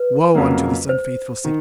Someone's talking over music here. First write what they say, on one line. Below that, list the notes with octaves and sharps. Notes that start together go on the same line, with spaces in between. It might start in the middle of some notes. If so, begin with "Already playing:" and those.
Woe unto this unfaithful city!
Already playing: B4
F2 C#3 F#3 A#3
C5
D#3